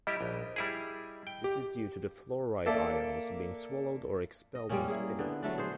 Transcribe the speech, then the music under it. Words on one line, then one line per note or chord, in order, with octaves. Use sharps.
This is due to the fluoride ions being swallowed or expelled when spitting.
G3 E4 G4 D#5
A#1
G3 E4 G#4
G5
G4
A#3 A4 D5 E5
D#5
G3 G#3 A#3 C#4
E4 G#4
D3 B3
F#3 A3 D4
G#4 C5